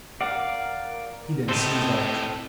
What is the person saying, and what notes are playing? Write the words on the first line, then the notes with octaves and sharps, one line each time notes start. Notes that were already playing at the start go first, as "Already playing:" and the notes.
He then seized all the trout.
A#4 D5 F5 F#5
A2 C4 G4 A4 D#5